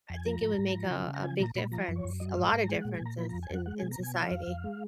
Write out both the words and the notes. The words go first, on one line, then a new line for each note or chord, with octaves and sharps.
I think it would make a a big difference, a lot of differences in in society.
F2 G#5
F3 A#5
G#2
G#2
F3
C#3
C#3
A#5
F3 G#5
A#2 A#5
A#2 B5
F3 A#5
F#2
C#5
F#2
F#3 D#5
F5
G#2
F#5
G#2 A#5
A#5
G#3 G#5
F#5
A#2
G#5
A#2 A#5
F3 B5
A#5
F2
G#5
F2 F#5
G#3 F#5
B2 G#5
A#5
B2 G#5
F3 F5
F2
F2
G#3